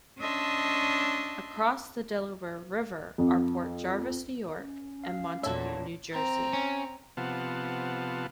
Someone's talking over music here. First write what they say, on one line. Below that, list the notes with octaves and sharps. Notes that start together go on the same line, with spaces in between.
Across the Delaware River are Port Jervis, New York and Montague, New Jersey.
C#4 D4 D#5 E5 A5 C6
F2
C#4
F5
E2 A#2 F#4 A4 C#5 E5 A5
C4 A#5
C#4
C3 F3 B3 F5 F#5 A5